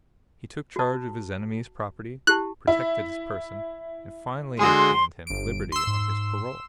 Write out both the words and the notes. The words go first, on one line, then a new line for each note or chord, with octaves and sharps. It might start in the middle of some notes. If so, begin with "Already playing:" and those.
He took charge of his enemy's property, protected his person, and finally obtained him liberty on his parole.
F#4 A5
E4 G4 A5 F#6
E4
D3 G#3 F#4 G#4 C6
G1 D7
C6 E6
G#2